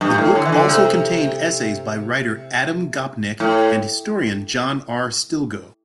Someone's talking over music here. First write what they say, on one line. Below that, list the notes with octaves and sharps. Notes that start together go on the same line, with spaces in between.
The book also contained essays by writer Adam Gopnik and historian John R. Stilgoe.
G2
A2
D3
E3
D3
C3
A2